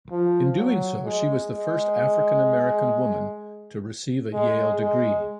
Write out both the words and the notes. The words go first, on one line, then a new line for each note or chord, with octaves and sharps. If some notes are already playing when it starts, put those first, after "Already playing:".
In doing so, she was the first African-American woman to receive a Yale degree.
F3
F#3
G#3
G#3
G#3
G#3